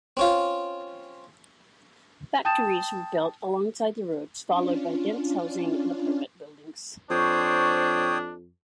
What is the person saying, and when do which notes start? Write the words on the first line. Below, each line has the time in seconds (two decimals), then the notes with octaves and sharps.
Factories were built alongside the roads, followed by dense housing and apartment buildings.
0.17 C4 C#4 F4
2.45 G5 A5 D#6 G6 A6 E7
4.47 C#4 D4 F4
7.10 F2 D4 C5 C#5 G5 C#6 D#6